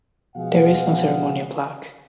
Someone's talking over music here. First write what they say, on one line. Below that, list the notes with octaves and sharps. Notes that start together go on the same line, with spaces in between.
There is no ceremonial plaque.
B2 F3 G#3 G#4 F5 F#5